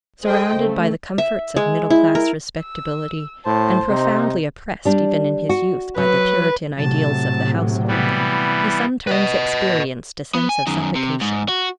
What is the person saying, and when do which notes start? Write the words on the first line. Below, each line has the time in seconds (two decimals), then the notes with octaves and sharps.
Surrounded by the comforts of middle-class respectability, and profoundly oppressed, even in his youth, by the Puritan ideals of the household, he sometimes experienced a sense of suffocation.
0.23 G#4 A4 C5 D#5 G5
0.55 C#3 A3
1.18 E5
1.56 G#3
1.90 E4
2.15 A#4
2.60 E6
3.46 A2 C5 A5
3.90 C3 D#4
4.85 G3 D4
5.49 F#4
5.98 F#3 B4
6.78 A2 C3 F#3 A5
7.88 E3 G3 B3
9.07 B4 D#5
10.35 B3
10.49 G#5
10.67 F#2 D#3
10.95 C3
11.21 G#2
11.49 F#4